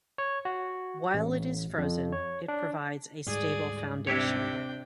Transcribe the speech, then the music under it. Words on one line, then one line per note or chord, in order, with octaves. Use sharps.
While it is frozen, it provides a stable foundation.
C#5
F#4
A1
F2
C#5
D4
D2 G#2 G3 G#4 D5
C3 D4 E4 G4 C#5 G5